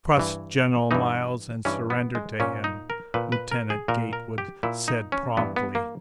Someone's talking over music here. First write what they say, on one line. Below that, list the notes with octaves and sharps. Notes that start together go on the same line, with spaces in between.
"Trust General Miles and surrender to him," Lieutenant Gatewood said promptly.
G2 E3
G2 E3 D#4
G2 E3 C#4
B3
G#3
A#2 C#4
D#4
A#4
A#2 B4
B4
A#4
G#4
A#2 A#4
A#4
G4
A#2 E4
D#4
C#4
G2 E3 B3
B3
A#3